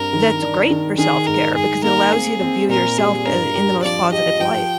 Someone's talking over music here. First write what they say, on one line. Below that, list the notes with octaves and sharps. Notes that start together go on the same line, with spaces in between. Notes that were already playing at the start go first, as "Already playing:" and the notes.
that's great for self-care because it allows you to view yourself, uh, in the most positive light.
Already playing: G2 C4 A#4
D#3
D4
D#3
D#3 G#4
G#2 A#4
G#2 G#4
A#3 A#4
C4 G#4
C4
A#2 A#4
G3 G#4
G2 A#4
G4
F3 D5
G4 D#5
F3 G5